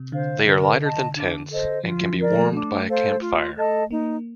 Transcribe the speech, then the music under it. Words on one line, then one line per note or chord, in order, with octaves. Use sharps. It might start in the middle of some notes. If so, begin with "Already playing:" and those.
They are lighter than tents and can be warmed by a camp fire.
Already playing: C3
D3 C5 F5
D3 A#4
D#5 A5
D4
A4 C5 D#5
F3 F4
F3
F3 A#4 D5
A3
A3 D4
A4 C5 F5
F4
A4 D#5 A5
A#3 D#4